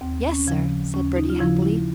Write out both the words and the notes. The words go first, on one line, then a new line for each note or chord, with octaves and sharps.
"Yes, sir," said Bertie happily.
D#2 C4
C#4
C#3 F3
D#2 C#4
D#4
F4
C#3 F3 E4
E4